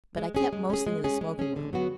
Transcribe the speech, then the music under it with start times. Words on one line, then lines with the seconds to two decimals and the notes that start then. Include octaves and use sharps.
But I kept mostly in the smoking-room.
0.17 G#3
0.35 C#4 G#4
0.53 G#3
0.70 C#4 G#4
0.87 G#3
1.04 C#4 G#4
1.21 G#3
1.39 C#4 G#4
1.56 D3
1.73 F#3 B3 F#4